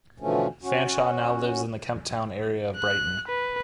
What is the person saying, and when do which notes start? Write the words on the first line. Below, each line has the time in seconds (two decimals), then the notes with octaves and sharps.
Fanshawe now lives in the Kemp Town area of Brighton.
0.20 B2 D3 E3 F3 A3 C#4
0.63 C#4 F#4
2.77 F#6
3.28 B4